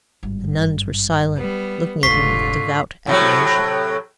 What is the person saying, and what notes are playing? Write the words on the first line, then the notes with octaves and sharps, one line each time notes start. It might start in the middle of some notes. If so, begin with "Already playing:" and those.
The nuns were silent, looking at him with devout admiration.
G#1 G2
G3 B3
F1 D2 G#2 D3 F4 C#6 B6 C7
A2 C3 F#3